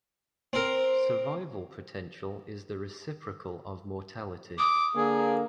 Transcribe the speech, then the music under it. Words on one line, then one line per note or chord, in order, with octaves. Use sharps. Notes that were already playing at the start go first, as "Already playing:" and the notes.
Survival potential is the reciprocal of mortality.
C4 A#4
D6 D#6
D3 A#3 G#4